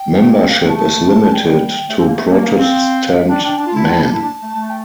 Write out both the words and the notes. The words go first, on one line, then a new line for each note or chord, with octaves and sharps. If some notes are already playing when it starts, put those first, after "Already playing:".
Membership is limited to Protestant men.
Already playing: G5
A3
A#3
C4
A#3 F5
G5
A3 A5
A5
G3 G5
A3
C4
A#3
A3
A#3
A#3 F5
C4
D4 G5
D4 G5
D4 A5
F4
E4
F4
E4
A#3
E4 A5
D4
A3
A3
G5